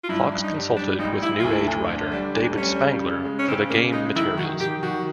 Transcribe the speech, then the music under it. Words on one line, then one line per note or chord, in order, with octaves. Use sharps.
Fox consulted with New Age writer David Spangler for the game materials.
F4
G2 E4
G2
D#4
G3
G3 D4
G#1 D#4
G#1 E4
F4
D2 E4
D2
D3
G3 D4
D2 D4
G3 C#4
C#3
C#3
G#3
C#4
C#3 C4
C#3 A#3
G#3 D#4
D#3 E4
D#3 F#4
D#3 G4
D#3 F#4